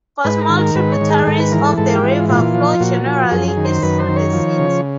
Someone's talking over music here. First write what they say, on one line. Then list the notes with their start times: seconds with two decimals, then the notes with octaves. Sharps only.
Four small tributaries of the river flow generally east through the city.
0.24 G#2 B4
0.41 A#4
0.49 D#3
0.58 A#4
0.75 G#2 B4
0.92 C#5
1.01 D#3
1.10 G#4
1.27 G#2 A4
1.40 B4
1.52 E3 A#4
1.65 A4
1.78 G#2 A4
1.95 G4
2.04 E3
2.11 F4
2.29 A#2 F4
2.54 F3
2.80 A#2 F#4
3.06 F3
3.31 F#2 G#4
3.48 G#4
3.57 D#3
3.65 C5
3.83 F#2 B4
3.99 C5
4.08 D#3
4.16 C#5
4.33 F3
4.59 C#3